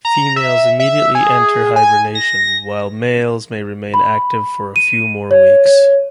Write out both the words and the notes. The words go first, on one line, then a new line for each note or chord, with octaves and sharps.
Females immediately enter hibernation, while males may remain active for a few more weeks.
A#5
E5
E5
G#4
G#5
A#6
B5
D#7
C#5
C#5